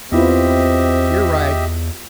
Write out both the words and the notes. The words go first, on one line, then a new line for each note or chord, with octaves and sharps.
You're right.
E2 B3 C4 E4 F4 G4 D#5 E5